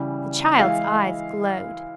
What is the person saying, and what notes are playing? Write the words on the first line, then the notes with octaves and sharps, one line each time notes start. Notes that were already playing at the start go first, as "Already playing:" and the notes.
The child's eyes glowed.
Already playing: C#3 E3 G3
E3 G#3 E4 F5